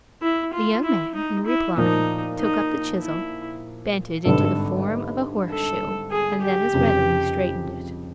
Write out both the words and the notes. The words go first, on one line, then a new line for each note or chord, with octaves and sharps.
The young man, in reply, took up the chisel, bent it into the form of a horseshoe, and then as readily straightened it.
E4
F4
E4
D#4
E4
A#2 F3 A#3 D#4
D#4
E4
G#1 G2 D3 A4
A4
G#4
G4
F1 F2 C#3